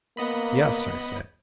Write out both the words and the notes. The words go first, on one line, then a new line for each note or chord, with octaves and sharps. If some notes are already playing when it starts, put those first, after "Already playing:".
"Yes," I said.
A#3 B3 D#5 B5